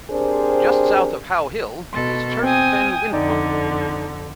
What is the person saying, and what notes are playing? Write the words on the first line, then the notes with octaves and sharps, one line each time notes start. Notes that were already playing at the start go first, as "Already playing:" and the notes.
Just south of How Hill is Turf Fen windpump.
C4 D4 G4 G#4 A#4 C5
B2 A4 C6
C4 G5 G#5 D#6
F2 D3 D#4 D5